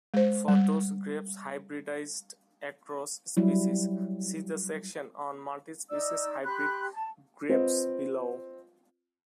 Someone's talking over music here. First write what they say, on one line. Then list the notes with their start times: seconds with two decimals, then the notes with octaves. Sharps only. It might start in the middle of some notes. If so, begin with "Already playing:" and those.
For those grapes hybridized across species, see the section on multispecies hybrid grapes below.
0.14 G#3 C5
0.48 G3
3.37 F#3 G3 E4
5.90 D#4 D5 E6
6.44 G4 B5 C6 F#6
6.94 A5
7.49 C4 F4 B4 C5 D#5